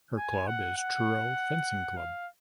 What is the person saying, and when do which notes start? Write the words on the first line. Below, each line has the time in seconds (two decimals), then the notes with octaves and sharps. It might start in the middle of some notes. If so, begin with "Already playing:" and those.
Her club is Truro Fencing Club.
0.17 G#5
0.47 F#5
0.77 F#5
1.97 F5